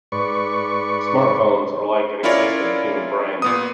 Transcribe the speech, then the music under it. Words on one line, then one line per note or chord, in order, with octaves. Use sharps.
Smartphones are like an extension of the human brain.
G#2 B4 D5 C#6
C#4 E4 F4 A#4 C#5 D5
A#2 B3 D#6